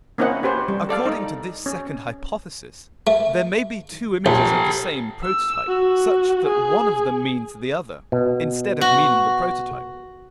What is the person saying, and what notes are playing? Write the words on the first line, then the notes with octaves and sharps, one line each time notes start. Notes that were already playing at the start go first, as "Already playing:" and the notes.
According to this second hypothesis, there may be two images of the same prototype, such that one of them means the other, instead of meaning the prototype.
A#3 C4 C#4 E4 D#5 F#5
C#4 G4 B4 C5
G3
A4 D5 F5
D#4
C#4
A3
A#1 G4 A4
E6
F#4
G#4
B2
F#4